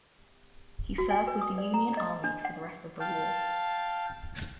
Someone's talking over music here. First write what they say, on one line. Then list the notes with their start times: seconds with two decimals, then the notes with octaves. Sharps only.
He served with the Union Army for the rest of the war.
0.98 F#4
1.10 G#5
1.27 B4
1.41 D#6
1.58 D5
1.74 A#5
1.97 D#5
2.24 D4
2.45 F#5
3.00 F5 G5 A5